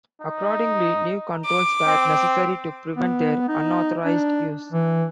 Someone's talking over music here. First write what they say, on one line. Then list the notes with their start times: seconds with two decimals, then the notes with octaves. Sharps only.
Accordingly, new controls were necessary to prevent their unauthorized use.
0.21 D#4
1.45 D6
1.87 C4
2.97 B3
3.48 D#4
4.05 D4
4.72 E3